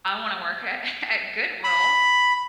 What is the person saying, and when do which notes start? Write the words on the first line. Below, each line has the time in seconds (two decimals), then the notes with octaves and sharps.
I wanna work at at Goodwill,
1.64 B5